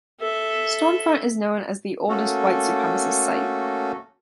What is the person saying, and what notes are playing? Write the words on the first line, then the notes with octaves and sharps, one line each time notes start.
Stormfront is known as the oldest white supremacist site.
A4 E5
A3 A#3 C#4 F#4 A4